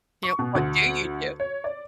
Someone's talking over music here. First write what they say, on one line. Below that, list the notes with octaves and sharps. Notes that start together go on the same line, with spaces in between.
You know, what do you do?
C#6
B2
D2
C#5
D5